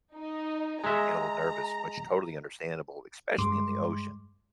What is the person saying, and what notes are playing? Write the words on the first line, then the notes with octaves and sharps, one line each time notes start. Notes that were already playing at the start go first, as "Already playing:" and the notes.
you get a little nervous, which totally understandable, especially in the ocean.
D#4
G#3 E5 A#5
G2 G#3 C6 D6